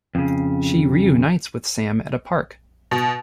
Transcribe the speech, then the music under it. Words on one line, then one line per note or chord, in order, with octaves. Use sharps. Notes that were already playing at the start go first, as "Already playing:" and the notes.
She reunites with Sam at a park.
F2 C#3
B2